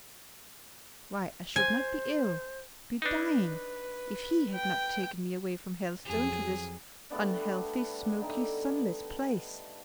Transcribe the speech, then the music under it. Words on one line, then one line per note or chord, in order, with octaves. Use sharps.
Why, I should not be ill--be dying--if he had not taken me away from Helstone, to this unhealthy, smoky, sunless place.'
C5 G#5
D4 D#4 B4
G5
F2 F#3 G#4
G3 A3 B3 D4
D3 D#4 E5 G5